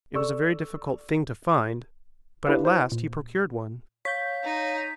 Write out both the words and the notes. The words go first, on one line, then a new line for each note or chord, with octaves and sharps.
It was a very difficult thing to find but at last he procured one.
A4 D5 C#6 E6
D4 E4 G4 B4 D5 F5
E4 C5
A#2
C#5 F5 G6 B6
D#4